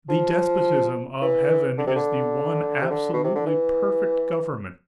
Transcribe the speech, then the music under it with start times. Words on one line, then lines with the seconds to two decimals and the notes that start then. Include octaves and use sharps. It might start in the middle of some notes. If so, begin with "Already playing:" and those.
The despotism of heaven is the one absolutely perfect government.
0.09 F3
1.21 E3
1.78 D3
1.87 C3
1.96 D3
2.81 C3
2.90 D3
3.13 B2
3.24 C3
3.35 D3
3.46 E3